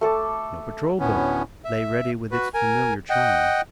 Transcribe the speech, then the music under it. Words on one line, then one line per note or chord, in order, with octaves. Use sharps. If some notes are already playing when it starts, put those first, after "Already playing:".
No patrol boat lay ready with its familiar challenge.
A3 A4 A5 D6
D2 A2 B3 C#4
E5
F#4 B4
A#4 G#5
D#5 F#5 G5